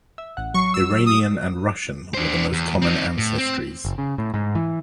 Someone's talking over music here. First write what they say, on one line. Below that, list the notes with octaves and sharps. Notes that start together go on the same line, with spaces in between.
Iranian and Russian were the most common ancestries.
E5
A1 F#5
F#3 C#6 C7
E6
D#6
D4 C5
E2
C4 D#4
A2
C4
F#1
C#3
A2
G#2
E3